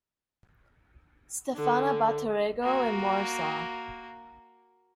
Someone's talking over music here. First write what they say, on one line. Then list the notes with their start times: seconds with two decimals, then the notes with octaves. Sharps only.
Stefana Batorego in Warsaw.
1.56 D3
2.62 A#3 F#4